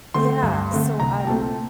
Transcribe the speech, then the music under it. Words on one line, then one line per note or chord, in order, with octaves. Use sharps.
Yeah, so, um,
D3 A3 C4 C6
G2
D3 A3 C4
C2 A#5
G5
A#2 A3 C4 A5